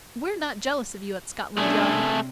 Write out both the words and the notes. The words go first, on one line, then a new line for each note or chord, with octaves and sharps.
We're not jealous of you at Scotland Yard.
B2 A3 C#4 D4 G#4
C3